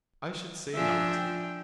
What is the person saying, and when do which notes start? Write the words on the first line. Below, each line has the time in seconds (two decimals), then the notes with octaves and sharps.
I should say not.
0.74 F3 D4 E5 G#5
1.13 G5